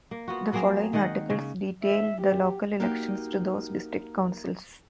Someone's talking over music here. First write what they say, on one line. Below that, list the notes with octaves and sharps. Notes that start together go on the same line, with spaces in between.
The following articles detail the local elections to those district councils.
A#3
B3 F4 F#4
F#3 A#3 C4 G#4
D#3 G#3 D#5 F#5
C#3
E5
G4
A#3 D#4 F#4 G4